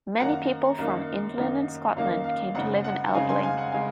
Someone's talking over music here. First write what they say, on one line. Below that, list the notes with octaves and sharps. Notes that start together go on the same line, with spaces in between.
Many people from England and Scotland came to live in Elbling.
F#2 D#3 A#3 D#4 F#5 A#5
F#2 D#3 A#3 D#4
F#2 D#3 A#3 D#4
F#2 D#3 A#3 D#4 F5
F5
F#2 C#3 G#3 C4 D#4 F#5
F#5
F#2 C#3 G#3 C4 D#4 F5 G#5
G#5 C6
F5 G#5
F#5
C#3 G#3 F5 G#5